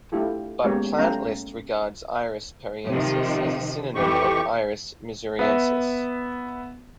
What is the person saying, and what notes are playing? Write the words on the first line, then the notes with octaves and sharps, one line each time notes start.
But Plant List regards 'Iris pariensis' as a synonym of 'Iris missouriensis'.
A3 D4 E4 F4 G4 A4
G#3 A#3 B3 C#4 G4 C#5
G3 A3 C#4 F5 G5 A#5
C3 D#3 F3
F2 E3 G4 C#6
B3 E5